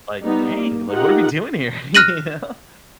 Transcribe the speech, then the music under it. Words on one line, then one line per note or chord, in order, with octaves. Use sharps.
like, "Dang, like, what are we doing here?" you know?
G3 B3 D#4
A#3
D#4 F4 G4 A#4 F#5
F6 F#6 A#6 D#7 F#7